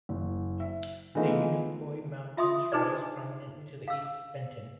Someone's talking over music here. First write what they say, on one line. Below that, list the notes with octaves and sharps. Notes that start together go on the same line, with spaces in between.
The Unicoi Mountains rise prominently to the east of Benton.
F#1
E5
E3 G#3 A3 B3 D#4 F4
F4 E5 C6 D#6
D4 D#4 G#4 B4 C5 D5
F5 E6